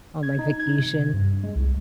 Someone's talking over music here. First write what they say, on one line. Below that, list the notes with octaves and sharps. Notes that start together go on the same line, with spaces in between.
on, like, vacation.
G#6
D#4
G#6
C3
G2
G#3
C2